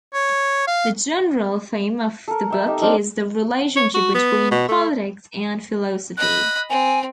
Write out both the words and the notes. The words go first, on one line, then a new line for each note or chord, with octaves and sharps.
The general theme of the book is the relationship between politics and philosophy.
C#5
F5
A4 A#4
E5 G5
D#4 G4
C4 D4 D#4 A#4
C#5
F#4
B3
B2
A3
D#5 B5 F#6
C4 G#5